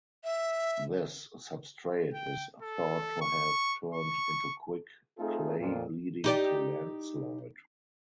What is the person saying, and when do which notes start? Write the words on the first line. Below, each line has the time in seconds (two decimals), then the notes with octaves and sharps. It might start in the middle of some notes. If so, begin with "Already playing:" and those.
This substrate is thought to have turned into quick clay leading to landslide.
0.24 E5
2.14 G5
2.62 A4
3.22 C#6
3.94 C#6
5.18 A3 C4 D#4 F4 G#4 A4
5.59 F2 A#2 F4
6.24 D#4 G4 D5